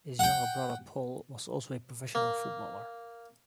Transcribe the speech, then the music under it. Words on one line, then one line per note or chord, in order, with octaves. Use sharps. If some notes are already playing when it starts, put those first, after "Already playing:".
His younger brother Paul was also a professional footballer.
F#5 G5
A#3